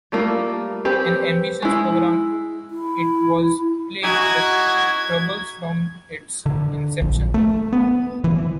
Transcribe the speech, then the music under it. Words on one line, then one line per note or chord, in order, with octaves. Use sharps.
An ambitious program, it was plagued with troubles from its inception.
G3 A3 A#3 F4
C4 G4 B4
G#3 E4
E4
D#4 E4 F#4 G#4 G#6
D3
A#1
A3
B3
E3